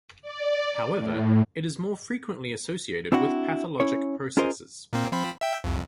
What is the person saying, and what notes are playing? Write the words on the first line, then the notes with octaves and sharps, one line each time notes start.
However, it is more frequently associated with pathologic processes.
D5
A2
C4 D4 E4 F#4 F#5
C#4 E4 C#5
C#4 F4 G#4 A#4 C5 D#5
A#2 A#3 C4
F3 C4 B5
E5 G5
C2 F2